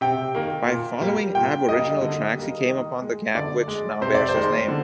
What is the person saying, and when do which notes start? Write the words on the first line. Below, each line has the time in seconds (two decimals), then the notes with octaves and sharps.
By following aboriginal tracks he came upon the gap which now bears his name.
0.01 C3 G5
0.35 D#3 A#3
0.68 A#2
1.01 G3 A#3
1.35 A#2 G5
1.68 G3 A#3 D#5
2.01 D3
2.34 G3 A#3
2.68 D#3
3.01 G#3
3.35 D3 D5
3.68 G#3
4.01 C3 C5
4.15 D5
4.29 C5
4.34 D#3 G#3
4.68 D3